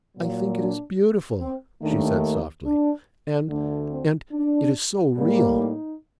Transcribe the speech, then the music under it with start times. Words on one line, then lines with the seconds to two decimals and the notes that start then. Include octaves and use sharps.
"I think it is beautiful," she said softly, "and--and it is so real."
0.15 A#2 F#3 A#3
0.58 D4
1.40 C4
1.82 D#2 D#3 A3 D4
2.66 D4
3.49 D2 D3 A3 D4
3.90 C4
4.32 D4
5.16 A2 G3 A#3
5.57 D#4